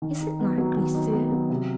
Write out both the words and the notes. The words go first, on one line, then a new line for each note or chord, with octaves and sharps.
Is it likely, sir?
D#3
D#4
B3
F#3
D#3
D#4
B3
F#3
C3